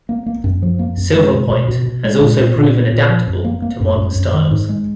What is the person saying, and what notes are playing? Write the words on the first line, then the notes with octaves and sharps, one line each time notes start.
Silverpoint has also proven adaptable to modern styles.
A#3
A#3
F#2
F3
A#3
F#2
G#3
B2
B2
B2
B2
G#3
A#2
A#2
A#2
B3
A#2
F3
F#2
A#3
A#3
F#2
F#2
F#2
D#3
G#2
G#3